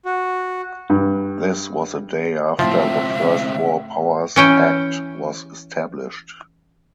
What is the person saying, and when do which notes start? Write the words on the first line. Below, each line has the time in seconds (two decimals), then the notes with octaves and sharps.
This was a day after the First War Powers Act was established.
0.05 F#4
0.90 G2
2.59 C#2 A2 F3 C4 E5
4.36 E3 C#4 G5